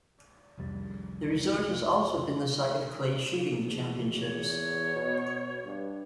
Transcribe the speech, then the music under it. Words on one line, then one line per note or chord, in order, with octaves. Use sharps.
The resort has also been the site of clay shooting championships.
C2 F2 G3
E2 F3
C#5
B2
G2